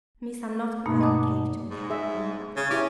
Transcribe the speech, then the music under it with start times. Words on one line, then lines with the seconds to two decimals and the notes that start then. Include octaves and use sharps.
Missa not come out of cave till Kadok come back.
0.86 G2 B2 A3 A#3 D#4
1.01 D#5 F#5 A5 D6 D#6
1.70 G#2
1.90 G#4 E5
2.56 C#3
2.70 C#4 E4 G4 D6